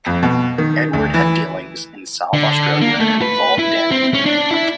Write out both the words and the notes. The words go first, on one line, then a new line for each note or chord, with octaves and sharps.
Edward had dealings in South Australia and involved Daniel.
F2
B2
D#3
D2
E3
D3
A#3
A3
B4
E4
C4
C#4
D4
E4